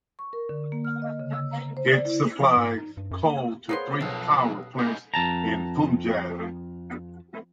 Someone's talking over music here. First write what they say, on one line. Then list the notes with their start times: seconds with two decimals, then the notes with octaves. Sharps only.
It supplies coal to three power pants in Punjab.
0.19 C#6
0.33 A#4
0.49 D3
0.72 A#3
0.85 F6
1.02 D#5
1.20 C#3
1.34 E6
1.51 A#5
1.77 C5
1.92 D5
2.05 E4
2.41 F3
2.57 G#2
2.78 D#4
2.97 G2
3.11 F#2
3.25 A#3
3.69 A#3 B3 G#4 C5 C#5 C6
4.01 B1 F2 D#6 F#6 C7
4.79 G#2 C#3 G6
5.14 F2 A5 A#5